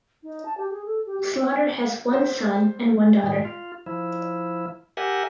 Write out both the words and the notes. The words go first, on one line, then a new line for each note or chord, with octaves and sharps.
Slaughter has one son and one daughter.
D#4
A5
G4
G#4
A4
G4
G4
C5
A2 D#3 G#3
F4
F3 E4
G4 A#4 E5 F#5 G#5